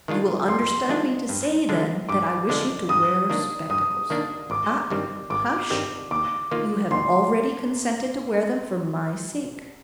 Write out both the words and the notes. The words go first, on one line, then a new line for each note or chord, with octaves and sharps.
You will understand me to say, then, that I wish you to wear spectacles;--ah, hush!--you have already consented to wear them, for my sake.
D#3 G#3 D4 F4
F2 C6
D#3 G#3 D4 F4
G2
D3 F3 G#3 D4
G2 D6
D3 F3 G#3 D4
G2 D#6
D#3 A#3 D4
G2 D#6
D#3 A#3 D4
G#1 D6
G2 D#3 G3 C4
G#1 D6
G2 D#3 G3 C4
D#2 D6
D#3 A#3 F4
D#2 C6